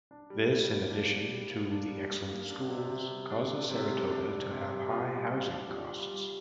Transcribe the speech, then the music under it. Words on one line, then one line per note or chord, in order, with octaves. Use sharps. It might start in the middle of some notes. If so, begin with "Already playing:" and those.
This, in addition to the excellent schools, causes Saratoga to have high housing costs.
D4
G3
G3
A#3
D4
G3
G3
A#3
D4
G3
G3
A#3
D4
C3
C3
G3
D4
C3
C3
G3
D4
C3
C3
G3
F4
G3
G3
D4
F4
G3
G3